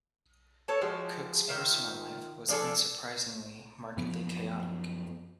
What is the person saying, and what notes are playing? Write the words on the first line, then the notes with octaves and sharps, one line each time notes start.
Cooke's personal life was, unsurprisingly, markedly chaotic.
A4 C#5 A5
F3 G#3 F#4 G4
D#3 F4 E5
F3 D4 G#4 A4
F#2 F3 B3